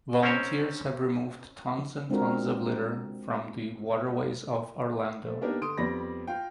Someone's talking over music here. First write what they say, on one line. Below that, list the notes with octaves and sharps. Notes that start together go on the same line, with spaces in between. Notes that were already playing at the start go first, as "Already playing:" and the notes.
Volunteers have removed tons and tons of litter from the waterways of Orlando.
C4 C#4 G#4 A#4 C5 C#5
G#3 C4 D4 F4 F#4 A#4
A3
A#3 B3 D4 D#4 G4 A#4
D3 C6 D#6 D7
F2 G3 B3 D5 B5 A#6
F4 F5 G5